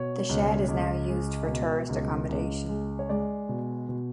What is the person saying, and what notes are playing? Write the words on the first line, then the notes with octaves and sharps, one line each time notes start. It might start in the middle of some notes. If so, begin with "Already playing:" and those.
The shed is now used for tourist accommodation.
Already playing: B2 C#5
C#2
C#2
G#3
B2
C#2
C#2
G#3
C#5
G#3 D5
B2
B2